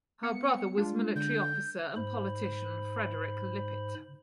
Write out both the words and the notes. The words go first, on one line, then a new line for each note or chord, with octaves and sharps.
Her brother was military officer and politician Frederick Lippitt.
B3 C#7
G#3 D4 F4
D3 G6
G#2 C5 B5